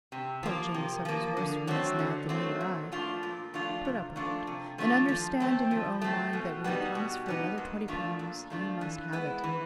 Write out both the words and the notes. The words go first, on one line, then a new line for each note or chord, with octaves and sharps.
Poor Jane suffers worse from this gnat than you or I. Put up with it; and understand in your own mind that when he comes for another twenty pounds he must have it.
C3
F3 A#3
C3
F3 A#3
D3
F#3 A3 C4
D3
F#3 A3 C4
A#2
F3 A3 D4 F4
A#2
F3 A3 D4 F4
C3
F3 A3 D4 F4
C3
F3 A3 D4 F4
F3
A3 C4
F3
A3 C4
B2
G3 B3 D#4
B2
G3 B3 D#4
A#2
F3 A3 D4 F4
A#2
F3 A3 D4 F4
E3
G#3 B3 E4
E3